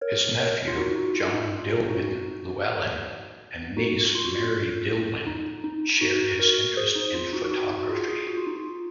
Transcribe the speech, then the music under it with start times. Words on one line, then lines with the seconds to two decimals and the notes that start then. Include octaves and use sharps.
His nephew John Dillwyn Llewelyn and niece Mary Dillwyn shared his interest in photography.
0.01 A#4 C#5
0.40 A#4 C#5
0.68 F4
0.77 D#4 F#4
0.96 D#4 F#4
1.15 F4
1.34 D#4
1.52 F4
1.89 D#4 F#4
3.77 D#4 F#4
4.15 F4
4.25 F#4
4.35 F4
5.27 D#4
5.64 D#4
6.01 D#4 F#4
6.39 F#4 A#4
6.77 G#4 C5
6.96 D#4
7.14 F4
7.33 D#4 F#4
7.51 D#4 F#4
7.70 D#4 F#4
7.89 F4 G#4
8.08 F4 G#4
8.27 F#4
8.37 F4
8.47 D#4
8.57 F4